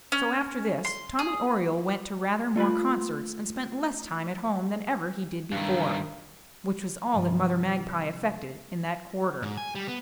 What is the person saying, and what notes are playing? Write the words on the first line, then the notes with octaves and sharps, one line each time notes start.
So, after this, Tommy Oriole went to rather more concerts, and spent less time at home than ever he did before, which was all that Mother Magpie effected in that quarter.
C#4
C6
G#4
A3 F4 B4 B5
G2 D#3
G2 C3 F3
G#2
G#5
G3
B3